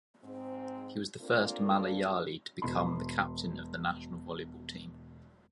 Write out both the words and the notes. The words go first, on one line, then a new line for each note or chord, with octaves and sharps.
He was the first Malayali to become the captain of the national volleyball team.
G#2 C4
A#3 C4 D4 F4 A4 A#4
E1 B2 B5 C6